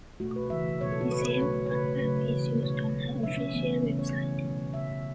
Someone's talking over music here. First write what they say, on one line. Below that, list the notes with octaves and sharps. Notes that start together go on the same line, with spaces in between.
The same artwork is used on her official website.
B2 A3 F#4
B4
C#3 E3 A3 E5
B2 F#3 A3 C#5
A4
F#4
C#3 A3 B4
C#5
B4
B2 F#3 A3 C#5
C#5
C#3 A3 B4
C#3 F#3 A3 B4
C#3 E3 A3
B2 A3 C#5
C#3 F#3 A3
B2 F#3 A3 E5
C#4
C#3 E3 A3 B3
C#3 E3 A3 C#4
C#5
C#3 E3 A3
B2 F#3 A3
C#3 E3 A3 E5